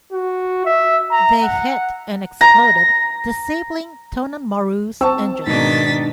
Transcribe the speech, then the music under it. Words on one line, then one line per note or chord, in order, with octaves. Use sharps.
They hit and exploded disabling "Tonan Maru"'s engines.
F#4
E5
A#5
F#5
A#5
C4 A5 C#6 E6
G#2 B2 D#3 D4 A6 B6